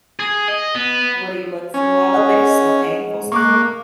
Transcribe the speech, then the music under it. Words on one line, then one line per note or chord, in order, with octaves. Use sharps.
really look through all of it. It's so painful still,
G#4
D#5
B3
C#4
G#4 D#5 F#5
A#3 C#6 D6 F#6